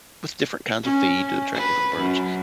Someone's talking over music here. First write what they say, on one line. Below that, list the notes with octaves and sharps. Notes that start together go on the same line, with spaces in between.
With different kinds of feed to attract different birds
C#4
B4
F#2